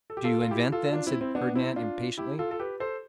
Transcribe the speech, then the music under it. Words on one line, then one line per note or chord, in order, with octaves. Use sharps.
"Do you invent, then," said Fernand impatiently.
A4
G4
F4 A4
F4
E4 G4
F4 A4
D4 F4
C4 E4
C4 E4
B3 D4
C4 E4
D4 F4
E4 G4
F4 A4
A4
G4 B4
A4 C5